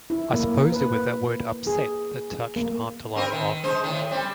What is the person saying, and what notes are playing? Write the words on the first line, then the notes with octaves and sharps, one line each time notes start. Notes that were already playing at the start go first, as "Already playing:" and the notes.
I suppose it was that word "upset" that touched Aunt Dahlia off.
E4
A#3
B4
G#4
A#3
C4 A#4 B4
D#3
G#3 D#4 C5
A2 D#3
G3 C4